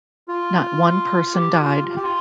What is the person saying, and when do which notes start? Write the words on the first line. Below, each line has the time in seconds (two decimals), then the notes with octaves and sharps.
Not one person died.
0.28 F4
1.34 G4
1.61 F4
1.88 F4
1.96 G4
2.03 F4